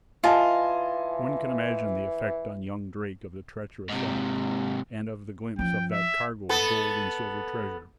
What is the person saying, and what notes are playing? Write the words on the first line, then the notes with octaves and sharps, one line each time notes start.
One can imagine the effect on young Drake of the treacherous act and of the glimpse of that cargo of gold and silver treasure.
E3 F4 D#5 G#5 A5
G#2 C3
F3 C#4 G5
E5
B3 A4